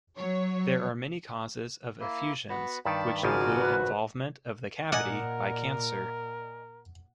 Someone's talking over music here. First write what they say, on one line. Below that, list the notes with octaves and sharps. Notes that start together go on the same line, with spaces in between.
There are many causes of effusions which include involvement of the cavity by cancer.
F#3 C#5
A#3 E4
B3 F#4 B4
G2 D#3 D5 A5 B5
G#1 C#3 F3 F#4 A#4 D5 G#5
B4
A#2 A#4 D5 D#5 F#5 G#5